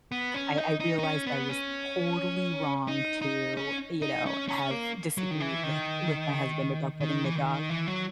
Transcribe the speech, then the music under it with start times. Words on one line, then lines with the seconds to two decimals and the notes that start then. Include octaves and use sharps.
I I realized I was totally wrong to, you know, have disagreed with with my husband about getting the dog.
0.12 B3
0.34 C#4
0.57 D#4
0.80 D#4
0.99 D#4
1.03 C#4
1.27 B3
1.49 C#4
2.88 D#4
3.22 D#4
3.57 C#4
4.02 D#4
4.26 C#4
4.49 C#4
4.71 A#3
5.18 F#3
5.31 D#3
5.40 E3
5.63 D#3
7.00 D#3
7.24 E3
7.36 D#3
7.70 E3
7.87 F#3